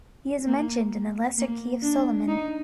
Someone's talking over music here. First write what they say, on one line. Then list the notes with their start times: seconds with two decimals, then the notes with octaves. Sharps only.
He is mentioned in The Lesser Key of Solomon.
0.47 A#3
1.38 A#3
1.82 D4
2.28 D#4